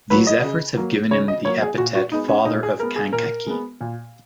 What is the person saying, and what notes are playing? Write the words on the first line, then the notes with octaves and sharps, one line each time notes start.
These efforts have given him the epithet Father of Kankakee.
F#3 A#3 B4
D#5
C#3
F#3 A#3
C#3 C#5
D#5
F#3 A#3 C#5
G#4
A#2 F#4
F#4
G#3 B3 D#4
C#4
A#2 D#4
G#4
G#3 B3 A#4
G#4
A#2 A#4
G#3 B3
A#2